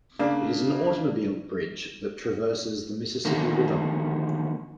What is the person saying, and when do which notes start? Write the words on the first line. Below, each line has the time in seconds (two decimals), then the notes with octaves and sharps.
It is an automobile bridge that traverses the Mississippi River.
0.19 C#3 A#3 D4
3.25 D3 D#3 F3 A#3